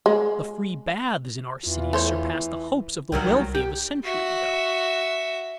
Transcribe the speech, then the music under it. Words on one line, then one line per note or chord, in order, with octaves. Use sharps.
The free baths in our cities surpass the hopes of the wealthy of a century ago.
G#3
E2 E3 F4
A3 C5 C#5
C2 D#3 F#3 G3 A#4
G4 G6
F#4 E5